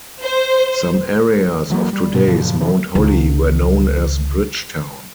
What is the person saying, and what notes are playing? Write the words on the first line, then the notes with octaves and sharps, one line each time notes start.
Some areas of today's Mount Holly were known as Bridgetown.
C5
E3 F#3 A3 A#3
G3
G#2 B2
F#2 A#2 C#3 F3
C3 D#3 E3
C#2 D#3